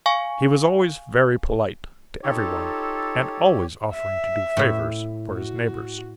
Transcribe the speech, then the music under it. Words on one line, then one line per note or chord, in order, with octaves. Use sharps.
He was always very polite to every one and always offering to do favors for his neighbors.
F5 G#5 C#6
D#4 F4 G4 A4 C#5
E5
A2 E4
F#4